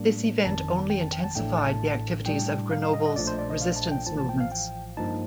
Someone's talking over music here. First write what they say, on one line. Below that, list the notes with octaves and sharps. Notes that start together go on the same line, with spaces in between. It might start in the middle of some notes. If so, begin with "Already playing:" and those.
This event only intensified the activities of Grenoble's resistance movements.
Already playing: A2 G3 A#3 D4
G1 F2 D#3 A5
G5
A5
G5
A5
A1 A2 A3 D4 G5
A5
A2 G3 D4 G5
F5
F5
D#5
D#5
A#1 A#2 F3 A3 D4 D5
C5
D5
D#5
F5
A5
G5
A1 A2 F3 A5
A5
G5
F5
G5
G2 F3 A#3 D#4 A5